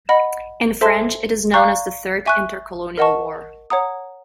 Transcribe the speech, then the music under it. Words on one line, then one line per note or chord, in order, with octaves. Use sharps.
In French, it is known as the Third Intercolonial War.
D#5 F#5 B5
A4 C5 E5 A5 C6
D5 F5 A#5 C#6 F#6
E5 G#5 C#6 F#6
A#4 D#5 F#5 A5 C#6
C#5 F#5 A#5 D#6